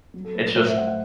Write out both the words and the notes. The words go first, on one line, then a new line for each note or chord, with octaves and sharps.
it's just
F#3
A4
A3 B4
B4
A2 C5
E5
F#3 F#5
F#5